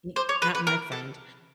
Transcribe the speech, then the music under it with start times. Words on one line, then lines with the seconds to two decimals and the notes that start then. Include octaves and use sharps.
M not my friend.
0.16 C5
0.29 C#5
0.42 B4
0.55 B4
0.67 A#4
0.92 A4